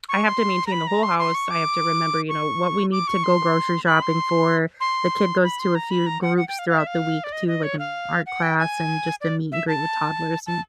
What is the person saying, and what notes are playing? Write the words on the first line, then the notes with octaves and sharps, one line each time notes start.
I have to maintain the whole house, I have to remember, you know, what we need to go grocery shopping for, the kid goes to a few groups throughout the week to, like, an art class, and just a meet and greet with toddlers, and
C#6
C6
A#5
B5
A#5
C6
C6
C#6
D6
C#6
D6
C#6
C6
B5
C6
C6
B5
C6
A#5
B5
A#5
F#5
F#5
G5
F5
F5
E5
F5
D5
D#5
D#5
C#5
F5
F#5
G5
G#5
D5
E5
A5
A5